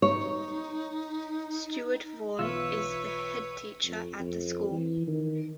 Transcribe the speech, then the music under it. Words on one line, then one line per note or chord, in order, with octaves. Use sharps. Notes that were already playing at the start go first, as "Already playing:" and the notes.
Stewart Vaughan is the Headteacher at the school.
D#4 C#5
B1 E3 B3 F4 B4 C#5 E5 E6
F2
F2
E3
D#3